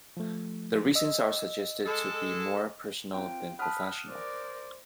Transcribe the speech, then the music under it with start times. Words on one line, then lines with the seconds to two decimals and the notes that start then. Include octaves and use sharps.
The reasons are suggested to be more personal than professional.
0.17 F3 A3
0.95 D#5 E6
1.86 G#3 A4
3.14 C4 F4 G5
3.59 F#5 A5 B5 D#6 F6 F#6
4.08 A#4 C5 D5